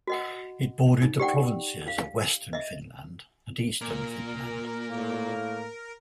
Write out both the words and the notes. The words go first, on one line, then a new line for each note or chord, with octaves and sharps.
It bordered the provinces of Western Finland and Eastern Finland.
F#4 D#5 F#5
D#4
G4 D5 F#5 G5
F5
D#5 E5
A#2 A#4
A2 A#3